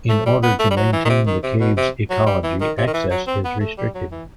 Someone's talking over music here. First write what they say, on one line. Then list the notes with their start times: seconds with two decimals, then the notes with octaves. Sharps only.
In order to maintain the cave's ecology, access is restricted.
0.09 A3
0.26 G3
0.43 B3
0.59 A3
0.70 G3
0.76 F#3
0.92 E3
1.05 D#3
1.09 C3
1.26 D#3
1.43 C3
1.60 B2
1.77 C3
2.10 F#3
2.26 G3
2.43 E3
2.60 D#3
2.77 C3
2.87 D#3
2.94 E3
3.10 F#3
3.27 C4
3.44 B3
3.60 A3
3.78 G3
3.94 F#3
4.11 E3